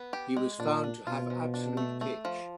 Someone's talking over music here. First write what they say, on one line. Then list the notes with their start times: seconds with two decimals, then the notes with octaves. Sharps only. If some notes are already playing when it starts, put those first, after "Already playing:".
He was found to have absolute pitch.
Already playing: B3
0.13 G4
0.37 G#3
0.59 A#2 D4
0.84 D4
1.07 B2 F4
1.30 F3
1.54 D4
1.77 A3
2.01 A3
2.25 F3